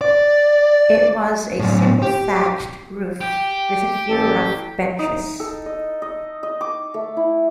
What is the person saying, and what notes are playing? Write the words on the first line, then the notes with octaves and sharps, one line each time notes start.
It was a simple thatched roof with a few rough benches.
D5
A2 F#3
G4
G4
A1 A4
D#4
A4
D#5
D#5
D#5
D6
A3
E4